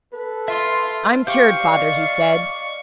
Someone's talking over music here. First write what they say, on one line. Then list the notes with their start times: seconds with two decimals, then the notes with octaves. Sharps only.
"I'm cured, father," he said.
0.13 A4 B4
0.48 F4 E5 C6
1.27 G4 C5 F5 C#6
1.61 D5 D#5